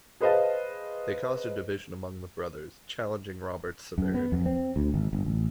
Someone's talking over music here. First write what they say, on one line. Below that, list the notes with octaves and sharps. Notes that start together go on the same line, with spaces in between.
They caused a division among the brothers, challenging Robert's severity.
G#4 B4 C5 D#5 F5 A5
F#2
B3
F2
C4
D2
G#1
G1
A1